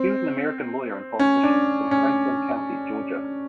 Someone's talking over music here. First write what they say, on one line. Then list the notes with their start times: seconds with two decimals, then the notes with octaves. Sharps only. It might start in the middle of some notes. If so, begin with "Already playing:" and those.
He was an American lawyer and politician from Franklin County, Georgia.
Already playing: C4
1.19 C#4
1.43 D4
1.91 C#4